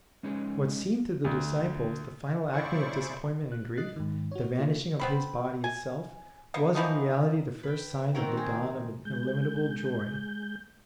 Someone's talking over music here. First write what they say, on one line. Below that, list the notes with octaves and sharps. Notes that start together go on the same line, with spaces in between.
What seemed to the disciples the final acme of disappointment and grief, the vanishing of his body itself, was in reality the first sign of the dawn of an illimitable joy.
G#3 C#4 D#4 G#4 B4 C#5
D2
C#3 E4 C5 D5 C#6
F#6
D#5 F#6 A6 C7
G#2 D#3
F#4 C#5
A#3 D4 F4 A4
B3 C4 B5
G#5
A#3 B3
E3 F3 B3 D#4
B4 G5
D#3 C4 F#4 A#4
D#4 G#4
G#3 G6